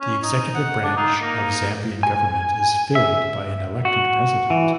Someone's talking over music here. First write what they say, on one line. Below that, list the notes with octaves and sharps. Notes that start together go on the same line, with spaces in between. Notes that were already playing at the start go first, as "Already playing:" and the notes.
The executive branch of Zambian government is filled by an elected president.
C#4
D#4 D#5
F#5
D4
D#4 F4
A#3 D#4
G#5
E5
F#4
E3